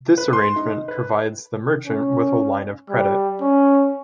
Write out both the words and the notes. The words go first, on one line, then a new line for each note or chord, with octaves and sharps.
This arrangement provides the merchant with a line of credit.
B4
C6
D#4
B4
C#4
G3
C#4